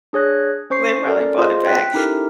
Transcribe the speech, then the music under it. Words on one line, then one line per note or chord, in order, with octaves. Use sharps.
they probably brought it back.
D4 G#4 C#5 F#6 A#6
C#4 C5 C#6 C7
C#4 A4 A#4 D5
F4 G#4 C5 D#5
G5 F#6 B6
C#4 D#4 E4 G4 A4 A#4